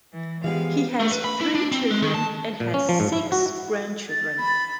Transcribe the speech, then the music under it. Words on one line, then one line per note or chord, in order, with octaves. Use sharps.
He has three children and has six grandchildren.
E3
E3 F3 G#3 B3 G4 F5
A3
B4
B5
E4
D4
C4
G#3
D#3
A5
A#2
C#4
F3
G#2
E4
F#4
A6
B5